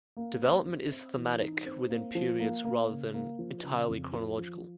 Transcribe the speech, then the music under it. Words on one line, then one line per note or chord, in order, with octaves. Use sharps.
Development is thematic within periods rather than entirely chronological.
A#3
C4
C4
C4
E3
D#4
C4
A#3
F3
A#3
A#3
C#3
A#3
F3
C#3
F2
F3
F3